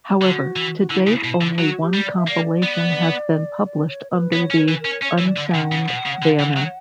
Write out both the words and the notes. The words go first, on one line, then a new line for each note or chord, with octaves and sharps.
However, to date only one compilation has been published under the "Unsound" banner.
G4
D3 F#4
E3
F#4
D3 E4
C#3
B2
D3
F#3 F#4
G4
G3
D5
E5
A#3 D5
B3
D5
C#5
B4
B3 C#5
C#4
B4
E3
A#4
C#4
C#4 C#5
E3
D5
D3
F#5
D3
C#3
B2
C#3
D3
E3
F#3